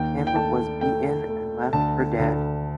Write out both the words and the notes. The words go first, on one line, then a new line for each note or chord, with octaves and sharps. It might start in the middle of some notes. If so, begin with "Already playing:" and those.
Kim was beaten and left for dead.
Already playing: D#2 G5
G5
A3 A5
A3 G5
A3
D2 A5
D2